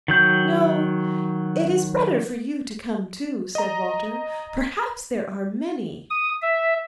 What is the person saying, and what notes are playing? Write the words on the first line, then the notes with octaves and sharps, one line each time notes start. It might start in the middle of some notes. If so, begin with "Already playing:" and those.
'No, it is better for you to come too,' said Walter. 'Perhaps there are many.'
D#3 F#3 G6
D#5 A#5
D#6
E5